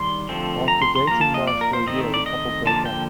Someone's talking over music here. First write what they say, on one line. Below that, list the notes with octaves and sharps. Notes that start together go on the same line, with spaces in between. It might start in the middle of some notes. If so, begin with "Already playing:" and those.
After dating Marsh for a year, the couple broke up.
Already playing: D#3 G3 C6
D3 F3 A3 C4
A#5
C6
C6
F3 A#3 A#5
A5
D#5
D5
A#4
C5
D#3 A3 C4 D#5
D5
D#5
D3 F3 A#3 A5
G5